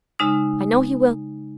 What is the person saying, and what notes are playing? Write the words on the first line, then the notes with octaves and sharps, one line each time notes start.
I know he will!
C#3 G#3 D#4 E6